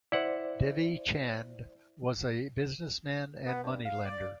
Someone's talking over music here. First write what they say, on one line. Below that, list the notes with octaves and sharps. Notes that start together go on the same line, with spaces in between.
Devi Chand was a businessman and money lender.
E4 C5 D5 F#5
B3
G2
F5
D5